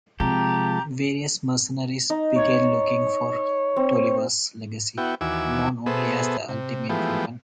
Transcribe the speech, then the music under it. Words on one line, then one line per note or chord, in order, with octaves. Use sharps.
Various mercenaries began looking for Tolliver's legacy, known only as the ultimate weapon.
C3 F3 G#3 G4 A5 A#5
D#4
C#5
C4
B3 E4 F#4 G5
D#2 E3 F#4 G#5 D6 E6
B2 B3 G#4 A4 C5 E5
C3
E3 F3 G#3 A3 B3 G4